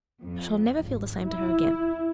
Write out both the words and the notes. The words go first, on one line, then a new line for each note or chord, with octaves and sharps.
I shall never feel the same to her again.
F2
G#1
E4